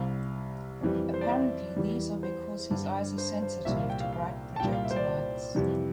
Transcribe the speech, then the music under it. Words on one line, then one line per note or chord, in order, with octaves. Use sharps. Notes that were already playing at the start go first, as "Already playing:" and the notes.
Apparently these are because his eyes are sensitive to bright projector lights.
Already playing: C2 C3 G3 F5
F2 E3 G3
C5
D5
E5
E2 E3 G3
C5
G2 D3 G3
C5
C5
C2 A#2 G3 E5
F5
G5
F5
F5
A5
C2 A#2 G3 G5
F5
E5
C5
D5
F2 C3 E3 G3